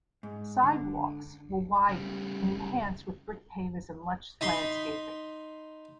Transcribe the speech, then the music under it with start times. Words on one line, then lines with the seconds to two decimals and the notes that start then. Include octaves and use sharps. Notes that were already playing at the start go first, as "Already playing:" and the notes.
Sidewalks were widened and enhanced with brick pavers and lush landscaping.
0.23 G#2
0.63 D3
1.89 C#3 G3
4.41 D#4 B5 C6